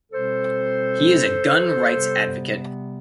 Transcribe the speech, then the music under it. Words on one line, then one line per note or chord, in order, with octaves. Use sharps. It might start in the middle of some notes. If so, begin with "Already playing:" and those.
He is a gun rights advocate.
B2 G3 C4 A4 C5
C3 G3 B3